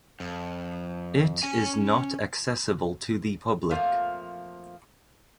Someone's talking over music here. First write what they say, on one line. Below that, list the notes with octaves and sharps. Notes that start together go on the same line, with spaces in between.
It is not accessible to the public.
F2
C#4 G#5
F2 F3 A3 A#3 F4